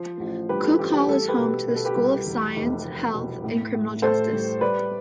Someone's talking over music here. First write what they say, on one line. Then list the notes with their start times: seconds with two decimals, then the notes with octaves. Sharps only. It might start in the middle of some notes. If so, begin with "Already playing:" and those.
Cook Hall is home to the School of Science, Health and Criminal Justice.
Already playing: F3 C5
0.20 A1
0.49 G2 G4 B4
0.65 A4
0.79 A1 G4
0.93 G4
1.08 G3 A4
1.28 G4 B4
1.38 B2
1.48 A4
1.68 B2 B4
1.76 A4
1.85 G4 B4
1.96 C2
2.26 E2
2.56 F1
2.85 F1
3.14 B2
3.44 A2
3.74 A2
4.02 A2 A4 C5
4.33 G3
4.61 G3 B4 D5